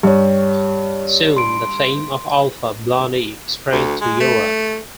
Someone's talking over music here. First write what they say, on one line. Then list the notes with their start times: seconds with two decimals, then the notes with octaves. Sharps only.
Soon, the fame of Alpha Blondy spread to Europe.
0.03 G2 G4 C#5
1.37 C6 D7
3.72 D2
4.01 G#3
4.20 A3